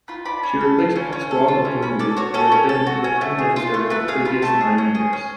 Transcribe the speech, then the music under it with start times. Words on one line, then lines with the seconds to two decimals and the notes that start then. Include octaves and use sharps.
She replaced Pascoal Mocumbi, who had been Prime Minister for the previous nine years.
0.08 F4 B5
0.26 D4 B5
0.43 C#4
0.61 A4
0.78 F4
0.96 C#4
1.13 C#4
1.31 A4
1.48 F4
1.65 C#4
1.82 C#4 B5
1.99 A4 D5
2.17 F#4 C#5
2.34 C#4 A4
2.52 C#4
2.69 A4
2.87 F#4
3.04 C#4
3.21 A3
3.39 G#4
3.56 F4
3.74 A3
3.90 A3 B4
4.08 G#4 F5
4.25 F4 B5
4.42 A3 A5
4.61 G#4
4.78 C#4
4.95 G#4
5.13 C#4